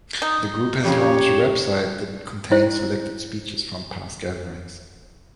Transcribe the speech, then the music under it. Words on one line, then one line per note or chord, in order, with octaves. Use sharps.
The group has launched a website that contains selected speeches from past gatherings.
D#4
F2 C#3 G4 C#5
E4 C5